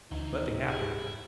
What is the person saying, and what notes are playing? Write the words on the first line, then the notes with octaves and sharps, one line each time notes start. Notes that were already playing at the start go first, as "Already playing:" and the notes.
Nothing happened.
D2 E3 F3 D#4
E4 G4 G#4